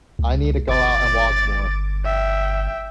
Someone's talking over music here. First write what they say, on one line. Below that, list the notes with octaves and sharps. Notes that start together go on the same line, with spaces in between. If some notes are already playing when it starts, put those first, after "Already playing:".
I need to go out and walk more.
C#2
G1 D6 A6
E5 G5